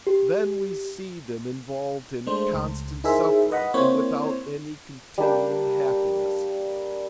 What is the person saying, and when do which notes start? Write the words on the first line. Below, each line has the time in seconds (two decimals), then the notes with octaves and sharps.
Then we see them involved in constant suffering, and without any continuing happiness.
0.07 G4
2.26 G#3 A3 D4 C5
2.53 C#2
3.04 D#4 E4 G#4 A#4 C5 E5
3.51 B4 D#5 F#5 B5
3.74 A#3 C4 E4 C5 C#5
5.18 G3 A#3 D4 G5